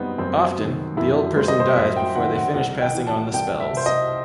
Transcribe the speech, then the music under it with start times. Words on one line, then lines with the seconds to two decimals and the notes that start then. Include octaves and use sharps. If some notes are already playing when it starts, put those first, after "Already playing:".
Often, the old person dies before they finish passing on the spells.
Already playing: F#2 G3 B3 C4 D#4
0.18 F#2 C4
0.58 D#3
0.97 F#2 E4
1.36 G3 C5
1.48 D#5
1.60 C5
1.76 F#2 E5
1.96 G5
2.15 D#3 F#5
2.36 F#5
2.54 C2 F#5
2.81 G5
2.94 E3
3.07 A5
3.33 C2 G5
3.60 E5
3.73 C3 C5
3.86 D#5